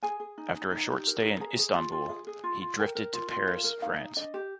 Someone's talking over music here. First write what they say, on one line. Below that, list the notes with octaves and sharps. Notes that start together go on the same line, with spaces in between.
After a short stay in Istanbul he drifted to Paris, France.
G#4 G#5
G#4
D#4
D#4
D#4
G4
A#4
D#4
G#4 A#5
G#4
F4
F4
G#4
G#4
F4
F4
A#4 G5
A#4
F4
F4
A#4 F5
A#4
D#4 F5
D#4
D4 D#5
G4